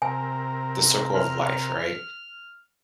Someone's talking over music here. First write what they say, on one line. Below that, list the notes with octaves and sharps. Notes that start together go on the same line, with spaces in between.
the circle of life, right?
C3 A#4 G#5
F6